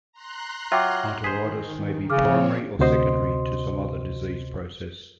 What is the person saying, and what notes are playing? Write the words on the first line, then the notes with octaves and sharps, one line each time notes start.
Arteritis may be primary or secondary to some other disease process.
A#5 C6 F#6
F#3 F4 E5 G5 D6
D#3 G#4 C5 B6
C#3 F3 C4 C#5 D6 F6
D2 C3 F#4 C5 D#5 C6